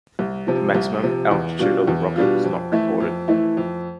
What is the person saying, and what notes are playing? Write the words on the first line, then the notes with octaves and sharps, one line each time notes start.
The maximum altitude of the rocket was not recorded.
C2
C3 F3
C2
C3 F3
E2
B2 G3 D4 F4
E2
B2 G3 D4 F4
F2
E3 A3 E4
F2
E3 A3 E4
F2